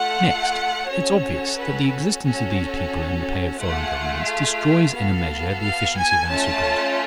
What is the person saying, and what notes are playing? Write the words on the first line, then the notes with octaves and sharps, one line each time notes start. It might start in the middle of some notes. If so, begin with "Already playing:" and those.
Next, it's obvious that the existence of these people in the pay of foreign governments destroys in a measure the efficiency of our supervision.
Already playing: A3 F4 A4 F#5
C#4 F#4 A4 C#5
B4
C#4 F#4 A4
A3 F4 G#4 F#5
F5
B3 F#4 A4
F5
G#5
A3 C#4 F4 A4 A5